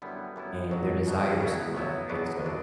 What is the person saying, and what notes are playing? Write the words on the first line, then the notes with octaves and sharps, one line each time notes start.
and their desires in life, right, so,
F#2 D3 G3 B3 E4
F#2 D3 G3 B3 E4
C#2 B2 F#3
C#2 B2 F#3
C#3 F#3 B3 E4
C#3 F#3 B3 E4
E2 B2 F#3 B3 D4
B2 F#3 B3 D4